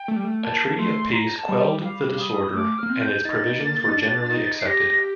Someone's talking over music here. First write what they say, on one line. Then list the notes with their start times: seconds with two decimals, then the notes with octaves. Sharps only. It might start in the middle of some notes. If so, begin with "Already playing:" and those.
A treaty of peace quelled the disorder, and its provisions were generally accepted.
Already playing: G5
0.08 A3
0.16 G3
0.24 A3
0.43 A#3 A5
0.78 A3 C6
1.13 A#5
1.37 A5
1.49 G3
1.61 G5
1.84 F5
2.19 D#6
2.54 A3 D6
2.78 A#3 F6
2.89 C4
3.01 G6
3.25 D#4 A6
3.60 A#3
3.88 D#4
3.95 D4
4.31 D#4
4.60 C7
4.66 G4 A#6